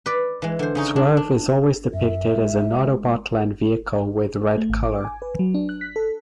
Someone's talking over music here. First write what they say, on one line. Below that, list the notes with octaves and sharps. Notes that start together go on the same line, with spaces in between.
Swerve is always depicted as an Autobot land vehicle with red color.
B4 D5
E3 G#3
D3 C5
C#3 C#4 D#4
D4
D4
F#2 E5
G#3
A3
G#1
D6
G#5
B4
F#3
D4
F#6
B6
A4